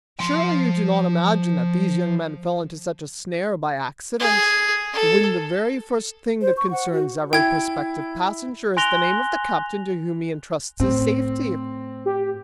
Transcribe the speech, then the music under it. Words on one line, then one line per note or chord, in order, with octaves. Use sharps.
Surely you do not imagine that these young men fell into such a snare by accident, when the very first thing that concerns every prospective passenger is the name of the captain to whom he intrusts his safety!
F3 C6
G#4
A4
C5
C#6
F#5
F#4
E4 G5 G#6
G#5 C6 F#6 A#6 F7 G7
A2 C4
G4